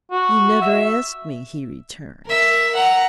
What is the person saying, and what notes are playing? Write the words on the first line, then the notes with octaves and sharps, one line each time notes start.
"You never asked me," he returned.
F#4
E5
A#4 E5
F#5 A#5